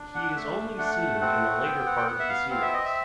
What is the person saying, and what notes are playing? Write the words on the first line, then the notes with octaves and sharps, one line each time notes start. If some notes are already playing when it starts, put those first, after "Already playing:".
He is only seen in the later part of the series.
Already playing: D4
F#5
A3 E5
A3 F#5
C4 F#5
B3 G5
F#5
G5
B3 F#5
E5
F5
C4 F5
E5
D#5
E5